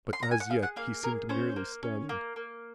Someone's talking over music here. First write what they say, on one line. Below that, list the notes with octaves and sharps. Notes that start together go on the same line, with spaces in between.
But as yet he seemed merely stunned.
C6
A#5
G#5
F#5
G#4 F5
F#5
A#3 F5
G#4 A#4
C#4 C5
A#3
C#4
A#3
A#3